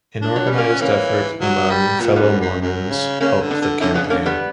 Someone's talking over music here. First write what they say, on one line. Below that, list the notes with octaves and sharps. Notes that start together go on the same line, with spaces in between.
An organized effort among fellow Mormons helped the campaign.
D4
F#3
G3 C#4
A#3
B3
E3 A#3 C#4
F#3
G3
A#2 B3
A#3
F#2 G3 B3
F#2
F#2
C#3
C#3 A#3 C#4
D3
B3 D4
D3
D3 C#4 E4
C#3 B3 D4
D3 A#3 C#4
G3 B3